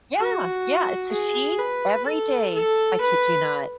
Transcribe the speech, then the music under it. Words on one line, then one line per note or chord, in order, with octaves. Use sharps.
Yeah, yeah. So she- every day, I kid you not,
F#4
G#4
B4
A4
A4
B4